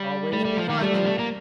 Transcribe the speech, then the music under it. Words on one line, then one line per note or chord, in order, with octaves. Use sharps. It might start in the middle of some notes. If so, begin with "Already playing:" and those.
Always be kind to me.
Already playing: G3
G3 A3
G3
F3
D#3
G3 A3
F3
A3
A#3